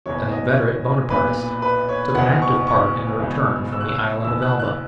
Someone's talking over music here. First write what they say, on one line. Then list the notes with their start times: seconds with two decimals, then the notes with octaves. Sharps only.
An inveterate Bonapartist; took an active part in the return from the Island of Elba.
0.06 F#1 E2 B2 C#5
0.32 D#5
0.58 C#5
1.10 B1 A#2 B4
1.62 B4
1.89 C#5
2.15 F#1 E2 B2 F#5
2.42 C#6
2.68 C#6
3.20 C#2 B2
3.72 E6
3.80 F#6
3.89 E6
4.24 F#1 E2 B2 E6
4.42 F#6
4.59 F#6